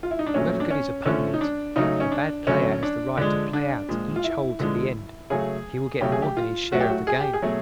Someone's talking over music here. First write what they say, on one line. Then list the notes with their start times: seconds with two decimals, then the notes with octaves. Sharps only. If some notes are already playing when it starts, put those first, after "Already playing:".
However good his opponent, the bad player has the right to play out each hole to the end; he will get more than his share of the game.
0.03 F4
0.11 E4
0.19 D#4
0.26 D4
0.34 A#2 F#3 A3 C#4
0.60 D4
0.70 C#4
1.06 D3 F3 A3 C#4
1.34 D#4
1.41 D4
1.76 C#3 F#3 A3 D#4
2.00 C#4
2.12 D4
2.47 D3 F#3 A3 C#4
2.83 D4
3.17 D3 F3 G#3 D4
3.53 D4
3.89 A#2 F3 G#3
4.16 F4
4.24 E4
4.60 D3 F3 G#3
5.30 C#3 F#3 A3 G#4
6.01 C#3 F#3 A3 G4
6.12 G#4
6.22 G4
6.37 F4
6.71 A2 F#3 A3 F#4
6.80 G4
6.89 F#4
7.07 G#4
7.20 G4
7.33 G#4
7.42 B2 F#3 A3